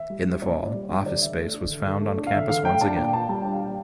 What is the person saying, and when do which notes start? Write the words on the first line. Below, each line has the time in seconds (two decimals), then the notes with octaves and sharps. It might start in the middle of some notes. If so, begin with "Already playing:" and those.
In the fall, office space was found on campus once again.
Already playing: E5
0.10 G3
0.26 C#4
0.41 A#2 D5
0.58 A#2
0.66 D5
0.74 G3
0.89 D4 E5
1.05 D3 D5
1.22 D3 E5
1.37 A3
1.54 D4
1.69 D3
1.86 D3
2.01 A3
2.18 D4
2.27 F5
2.33 D3 E5
2.49 D3 F5
2.65 A3 G5
2.81 D4 A5
2.97 A#2 G5
3.13 A#2 A5
3.29 G3 A5
3.41 D4 G5
3.53 F5
3.62 A#2 G5